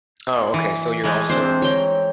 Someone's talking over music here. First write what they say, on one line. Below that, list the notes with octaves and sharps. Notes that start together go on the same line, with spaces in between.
Oh, okay, so you're also
E3
E3 G#3 A3
C4 D4 C5
C#5 G5 A#5